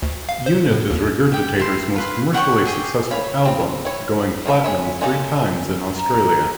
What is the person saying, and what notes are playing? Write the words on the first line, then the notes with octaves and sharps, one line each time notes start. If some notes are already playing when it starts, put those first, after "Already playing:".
"Unit" is Regurgitator's most commercially successful album, going platinum three times in Australia.
D2
F5
C5
A2
D#2
G4 G5
E4 C6
F4 B4 C6
C#5 F#5 G5 C#6
G4 G#4 G5
C#5 E5 F5 B5
C4 F4
E4 C#5
D#3 F3 F4 E5
G#3 C#5 E5
G#3 A#3 C#4 D#4 A4
A#5